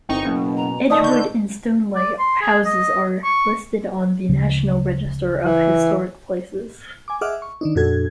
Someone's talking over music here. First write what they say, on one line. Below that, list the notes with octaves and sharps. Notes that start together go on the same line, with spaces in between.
Edgewood and Stoneleigh houses are listed on the National Register of Historic Places.
G1 C2 D#4 G5 C#6
F#1 B2
A#5
A#2 D#3 A3 D5 D#5 A5 D#6
D3 C#6 G6
D5
C6
G#4
D#5
C#6
D2 C#3 F3
E3
G#5 D6
G#4 D#5 E5 F#5 D6 F6
C#6
D#3 D4 D#4
F2 A#2 D4 F#4 A4 G#6